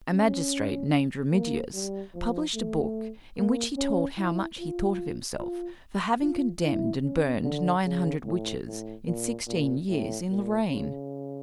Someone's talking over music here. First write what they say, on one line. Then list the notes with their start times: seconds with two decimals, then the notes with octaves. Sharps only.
A magistrate named Remigius, published a book in which he told how much he thought of himself for having condemned and burned nine hundred witches in sixteen years, in Lorraine.
0.10 C#4
1.32 A#3
1.73 G3
2.14 F3
2.54 A3
3.37 A#3
3.77 C#4
4.18 E4
4.59 F4
5.40 F4
6.22 F4
6.63 E4
7.03 C#4
7.44 D3
7.85 C#3
8.26 A2
8.66 A2
9.07 A#2
9.48 A#2
9.89 A2
10.29 A#2
10.70 C#3